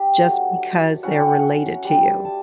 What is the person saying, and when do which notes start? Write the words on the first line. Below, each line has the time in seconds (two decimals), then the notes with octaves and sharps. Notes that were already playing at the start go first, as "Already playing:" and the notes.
just because they're related to you.
Already playing: D4 G4
0.22 F#3 A3 D4 F#5
1.03 F#3 C#4 E4 F#5
1.11 G5
1.20 F#5
1.84 G3 D4 G5
2.25 A5